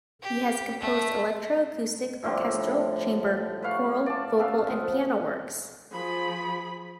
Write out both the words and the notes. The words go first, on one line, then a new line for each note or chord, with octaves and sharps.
He has composed electroacoustic, orchestral, chamber, choral, vocal and piano works.
G4
A3
A2 D3 F3 G3
B4 C#5 F5 F#5
D5 A5
C#3 B3 A4 F5
F3 B3
F3 G#4 B5